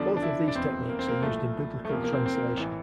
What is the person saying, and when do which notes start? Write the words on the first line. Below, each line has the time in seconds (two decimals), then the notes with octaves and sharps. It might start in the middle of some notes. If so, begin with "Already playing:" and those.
Both of these techniques are used in biblical translation.
Already playing: E2 D3 F3 D4
0.17 D4
0.22 E4
0.48 D4
0.55 F1 E2 E3 C4
0.89 A#3
0.99 C4
1.08 A#3
1.22 C2 A#2 F3 A3
1.85 A3
1.89 E2 C3 F3 A#3
2.04 A#3
2.13 C4
2.26 C4
2.35 A#3
2.57 A1 E3